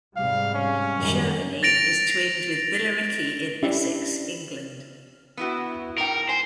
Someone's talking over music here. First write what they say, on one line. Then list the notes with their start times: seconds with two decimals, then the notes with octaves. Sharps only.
Chauvigny is twinned with Billericay in Essex, England.
0.16 G#2 C3 G3 F5
0.54 C#4
0.98 F#2 D#3 G3
1.63 A6 A#6 D7 F7
3.62 C#4 D4 E4 G4 E5
5.37 B3 E4 F#4
5.98 G#2 D#4 A#4 G5
6.29 C5 G#5